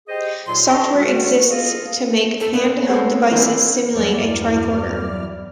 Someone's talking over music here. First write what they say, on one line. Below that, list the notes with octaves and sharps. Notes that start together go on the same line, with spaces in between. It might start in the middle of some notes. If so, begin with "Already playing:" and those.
Software exists to make hand-held devices simulate a tricorder.
G4 G#4 C5 D#5
D#2 A#2 F#3 F4 C6
D3 G4 A5 A#5 C6 C#6
D3 D#3 G3 G#3 F#4
F4 G#4 A4 D#5 F5
A4
A#3 B3 D4
G#3 C4 A4 C5 C#5
E3 A#3 C4 D4 E4
E2 G2 F#3 E4 D5 F6